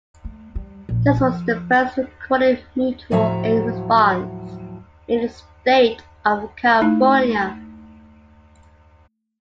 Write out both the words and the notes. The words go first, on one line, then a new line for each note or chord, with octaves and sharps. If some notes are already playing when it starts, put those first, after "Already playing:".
This was the first recorded mutual aid response in the state of California.
A3
G3
A#1
F3
A2 F3 F#3 E5 F5 A#5
A3 D#4 E4